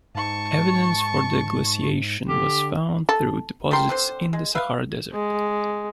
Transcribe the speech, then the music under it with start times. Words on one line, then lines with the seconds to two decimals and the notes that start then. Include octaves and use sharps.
Evidence for the glaciation was found through deposits in the Sahara Desert.
0.15 G#2 A5 C#6
2.29 D3 G4
3.09 A4
3.71 G3 A#4 G5 C6
3.89 D3 C4 C5
4.33 G#3
4.55 B4 E5 F5
5.13 G#3